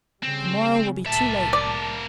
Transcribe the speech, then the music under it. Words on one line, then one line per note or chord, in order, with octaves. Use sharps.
"To-morrow will be too late."
C#3 G3 C4
C2 A2 A#3 E5 A5
D5